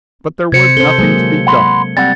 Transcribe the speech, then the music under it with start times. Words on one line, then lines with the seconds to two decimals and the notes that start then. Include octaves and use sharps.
But there was nothing to be done.
0.52 C3 C5 G#6 C#7
0.77 A4 C5 G7
0.98 F#3 G#3 A#3 G#4
1.47 F#5 B5 C6
1.97 G3 C4 F#5 A6